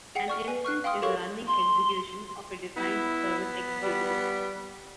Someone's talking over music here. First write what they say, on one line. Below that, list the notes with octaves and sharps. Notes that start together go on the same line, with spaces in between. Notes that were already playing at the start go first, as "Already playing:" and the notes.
An "instance" is a running execution of a defined service executable.
G#4 F#5 G5 C7 C#7
D5 C#6 F6
B4 G#5
C#6 F6 F#6
F5 G5 C6 D#6 F6
G4 A4 A#4 C#5 F5 C#6
C6
B3 E4
G3